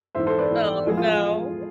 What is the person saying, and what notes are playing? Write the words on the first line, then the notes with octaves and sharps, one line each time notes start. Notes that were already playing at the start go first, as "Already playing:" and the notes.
Oh, no.
G#2 E3 B3 C5 E5
A4 C5
B4 D5
G#2 E3 B3
A2 F3 G#3 B3 G#4
F4